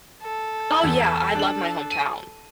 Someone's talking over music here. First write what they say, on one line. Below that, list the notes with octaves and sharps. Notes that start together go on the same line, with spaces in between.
Oh, yeah, I love my hometown,
A4
E2 E6
D4 F#7
D#7